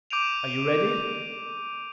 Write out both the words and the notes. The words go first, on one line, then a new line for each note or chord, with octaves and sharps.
"Are you ready?"
D6 G6 D7 D#7 F7